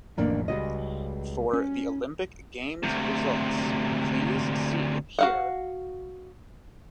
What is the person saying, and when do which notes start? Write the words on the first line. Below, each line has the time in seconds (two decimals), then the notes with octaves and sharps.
For the Olympic Games results, please see here.
0.18 A1 F2 A2 D#3 A#3 D4
0.48 C#2 G3 F#4 D#5
1.53 C#4
2.83 D2 C3
5.19 F#4 F5 F#5